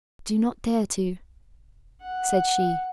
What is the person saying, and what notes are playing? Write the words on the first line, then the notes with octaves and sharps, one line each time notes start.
"I do not dare to," said she.
F#5